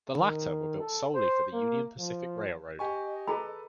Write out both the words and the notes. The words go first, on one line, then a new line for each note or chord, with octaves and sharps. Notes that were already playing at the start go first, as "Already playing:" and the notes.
The latter were built solely for the Union Pacific Railroad.
D#3
A4
C5
A#3
F3
G4 D#5 G#5 C#6
G#4 A4 B4 A#5 B5